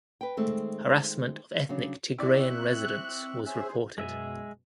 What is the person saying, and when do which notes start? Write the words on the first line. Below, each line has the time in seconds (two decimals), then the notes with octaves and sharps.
Harassment of ethnic Tigrayan residents was reported.
0.21 B4 G5
0.37 D#3 G#3 A3 C4
1.69 C#3 F#3 D4
2.18 C4 E4 D5 E5 C#6 E6 F#6
3.46 C#4 G#4 C5 E5 E6
3.98 F#2 B2 G#3 E5 G#5